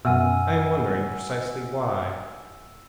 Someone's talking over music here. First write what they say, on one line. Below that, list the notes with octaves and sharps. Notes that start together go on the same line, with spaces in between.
"I am wondering precisely why."
F#2 B2 E5 F#5 G#5 E6 F6 D#7